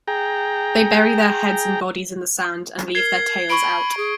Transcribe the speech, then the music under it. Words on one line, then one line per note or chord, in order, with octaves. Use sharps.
They bury their heads and bodies in the sand and leave their tails out.
G#4 G5 A#5
A#4 G#6 C7 G7
B5 C#6 D7
G#4